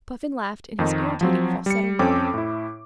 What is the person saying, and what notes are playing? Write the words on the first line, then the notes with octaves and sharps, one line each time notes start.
Puffin laughed in his irritating falsetto manner.
F2 D#3 D#4
F3 F#3 C4
G3 C#7
F2 C4 C#4 A4 G5 D6
A2 E4